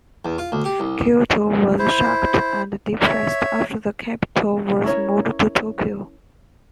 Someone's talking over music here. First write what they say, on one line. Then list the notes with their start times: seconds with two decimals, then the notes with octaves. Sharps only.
Kyoto was shocked and depressed after the capital was moved to Tokyo.
0.25 E2
0.38 F4
0.52 D2
0.65 G4
0.80 C2
1.79 E4 C5
3.04 C#5 E5
4.83 C#4 E4 A#4 C#5